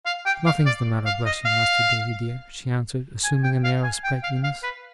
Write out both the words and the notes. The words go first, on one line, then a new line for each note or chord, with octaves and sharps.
'Nothing's the matter, bless you, Master Davy dear!' she answered, assuming an air of sprightliness.
F5
G5
F5
D5
F5
D#5
F5
G#5
G5
F5
G#5
G5
F5
F5
B4